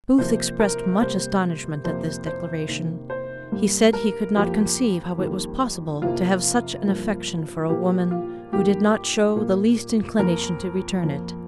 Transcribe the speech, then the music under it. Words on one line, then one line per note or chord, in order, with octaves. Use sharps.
Booth exprest much astonishment at this declaration; he said he could not conceive how it was possible to have such an affection for a woman who did not shew the least inclination to return it.
C3 F3 A#3 C5
A#4
C3 G3 A#3 C5
F2 C3 F3 A#3 C5
C5
C3 D#3 A#3
C5
G2 G3 A#3
A#4
F2 F3 A#3 G4
F2 D#3 G3 A#3
F2 C3 F3 A#3 F4
G2 F3 A#3
A#2 F3 A#3 G4
F4
G2 D#3 A#3 G4
A#2 A#3
F2 F3 A#3 A#4
F2 F3 A#3